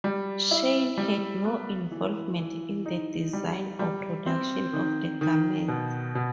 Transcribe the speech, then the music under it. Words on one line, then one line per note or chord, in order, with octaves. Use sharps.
Shein had no involvement in the design or production of the garments.
G3
E4
G3
B3
E3
E3
D#4
G3
G3
C4
D#3
D#3
B2
B2